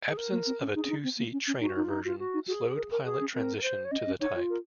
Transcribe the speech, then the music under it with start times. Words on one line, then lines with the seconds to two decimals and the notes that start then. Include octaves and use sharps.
Absence of a two-seat trainer version slowed pilot transition to the type.
0.09 G#4
0.17 A#4
0.32 A#3
0.47 C4
0.61 C#4
0.75 D#4 G#4
0.85 C#4
0.90 D#4
1.04 C4
1.18 A#3
1.33 C#4
1.47 C#4
1.61 D#4 F#4
1.76 D#4
1.81 F4
1.90 D#4
2.05 F4 F#4
2.19 F#4
2.34 D#4
2.48 F#4 G#4
2.62 A#4
2.76 A#4
2.91 A#4
3.05 G#4
3.21 C#4
3.34 C4 A#4
3.57 A#4
3.63 C5
3.84 C#5
3.91 C#4 D#5
4.07 C#4
4.20 D#4 C#5
4.35 F4
4.50 A#4